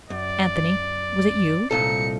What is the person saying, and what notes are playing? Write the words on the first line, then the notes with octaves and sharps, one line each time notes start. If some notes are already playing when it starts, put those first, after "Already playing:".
"Anthony, was it you?"
F#2 D5
C2 A#2 D#4 A4 C#7